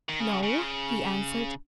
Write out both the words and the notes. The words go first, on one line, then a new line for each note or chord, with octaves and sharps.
"No," he answered.
D#3
C#3
C#3